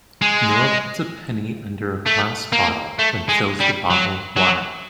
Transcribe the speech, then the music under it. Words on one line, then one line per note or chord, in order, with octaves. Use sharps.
Noah puts a penny under a glass bottle then fills the bottle with water.
G#3
A3
A#3
A3
G#3
G3
F#3
F#3